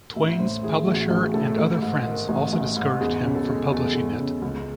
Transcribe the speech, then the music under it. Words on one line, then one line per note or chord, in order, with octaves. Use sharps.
Twain's publisher and other friends also discouraged him from publishing it.
A1 E5
A2 C5
E3 G#4
A1 F#4
A1 G#4
A2 A4
A1
G#2
D#3
A1
A1
G#2
E2 G#4
C#3
A4
G#3
E2 A4
E2
C#3
C#2